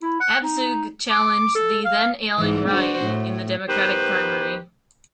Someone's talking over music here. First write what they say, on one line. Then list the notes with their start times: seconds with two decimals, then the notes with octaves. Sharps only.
Abzug challenged the then ailing Ryan in the Democratic primary.
0.02 E4
0.21 F#5
0.43 D#4
1.10 D6
1.55 A4
1.85 F5
2.38 G#2 E3
2.69 D4 F#4 C5
3.05 A2
3.69 D#3 B3 G4 B4 C5